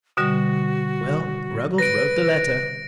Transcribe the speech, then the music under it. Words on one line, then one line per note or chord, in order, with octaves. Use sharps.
Well, Ruggles wrote the letter.
B2 D3 G3 F#4
B4 A#6 D7